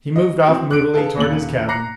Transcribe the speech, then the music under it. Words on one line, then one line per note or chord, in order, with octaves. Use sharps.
He moved off moodily toward his cabin.
D#5
E3 F#3 C4
F#6 D7
G#4 A4 B4 F5 A5
D#1 A#2 C#3 F#7
A#5 D6 F#6 A#6 C7 C#7